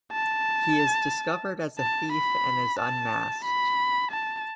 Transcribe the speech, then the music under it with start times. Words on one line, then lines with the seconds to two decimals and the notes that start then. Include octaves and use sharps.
He is discovered as a thief and is unmasked.
0.12 A5
1.79 A5
2.12 B5
2.79 A5
3.45 B5
4.11 A5